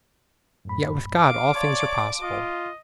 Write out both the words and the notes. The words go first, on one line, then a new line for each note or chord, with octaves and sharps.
Yet with God all things are possible.
F#2 A2 B5
F5 D6
C#5 D5 F5 A5 C6
F4 D#5